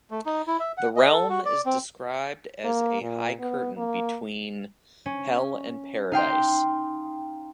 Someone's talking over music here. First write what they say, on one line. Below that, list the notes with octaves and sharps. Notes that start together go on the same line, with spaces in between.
The realm is described as a high curtain between hell and paradise.
A3
D#4
E4
E5
F#5
D#5
A4
F#4
D5
C4
A#3
A#2
B3
A#3
C#4
D#4 F5 G5 C6